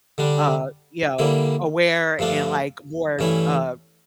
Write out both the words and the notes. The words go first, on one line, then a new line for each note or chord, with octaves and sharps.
uh, you know, aware and, like, more, uh,
D3 G3 D4
D3 G3 A#3 E4
G2 F3 A3 D4 F4
G2 E3 A3 C#4 E4